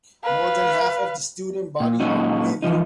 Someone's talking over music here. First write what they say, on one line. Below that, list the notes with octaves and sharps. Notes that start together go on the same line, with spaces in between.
More than half of the student body are women.
B4 F5
A#2
A#2 F#3 C#4 D#4 F#4
E3 F3 D#4